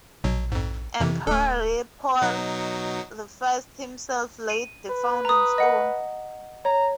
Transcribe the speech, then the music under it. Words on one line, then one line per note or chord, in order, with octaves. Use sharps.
Emperor Leopold the First himself laid the founding stone.
A#1 B2 F#3
F2 G#2
F2 C3 E3
D1 A3 A4
B2 F#3 D#4
D#7
B4
A#5 D#6
D#5 F#5
C#5 A#5